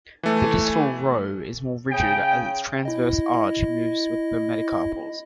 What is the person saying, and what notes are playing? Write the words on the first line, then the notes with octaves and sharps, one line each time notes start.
The distal row is more rigid as its transverse arch moves with the metacarpals.
E3 A3
C#3 G5
E4 D#5